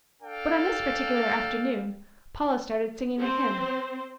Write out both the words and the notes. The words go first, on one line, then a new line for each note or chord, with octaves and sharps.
But on this particular afternoon Paula started singing a hymn.
D4 A4 F5 G5
C4 C5